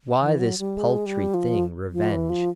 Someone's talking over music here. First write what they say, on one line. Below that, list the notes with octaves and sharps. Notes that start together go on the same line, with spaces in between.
Why this paltry thing, revenge?
E3
F#3
G3
G#3
G3
F3
F3
E3
F3